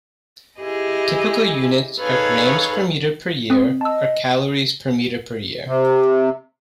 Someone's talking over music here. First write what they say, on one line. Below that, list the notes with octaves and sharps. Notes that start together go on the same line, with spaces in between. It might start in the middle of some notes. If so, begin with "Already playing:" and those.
Typical units are grams per meter per year or calories per meter per year.
E4 G4 G#4 D#5
D#4 G#4 A4 B4 C#5 F5
C4 D#6
D#5 A5 E6
C3